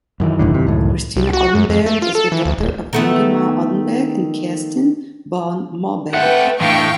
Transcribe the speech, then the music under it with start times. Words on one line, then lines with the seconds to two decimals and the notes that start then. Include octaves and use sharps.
Christina Odenberg is the daughter of Ingemar Odenberg and Kerstin, born Moberg.
0.20 F#2 D#3 E3
0.39 E1 A2 D3
0.54 C3
0.67 C#2 A2
1.16 C2
1.33 F#4
1.55 F#2
1.69 F2
1.86 A3
2.02 F4
2.15 A4
2.32 E3
2.45 D2
2.59 D#1
2.93 D#3 A3 B3
6.14 C4 A4 B4 E5 F#5 G5
6.61 A2 E3 A3 D4 F5 G5 C#6